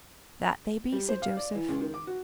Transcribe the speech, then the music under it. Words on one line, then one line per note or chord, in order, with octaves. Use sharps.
"That they be," said Joseph.
G3
C5
F5
D5
E3
C#2
D#3
D6
F#4